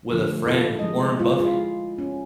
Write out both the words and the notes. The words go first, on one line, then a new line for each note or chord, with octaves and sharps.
with a friend Warren Buffett,
D3 F3 A3
E4 F4 A4
F3 G#3 D#5
G#3 E4 F4
F4
C#4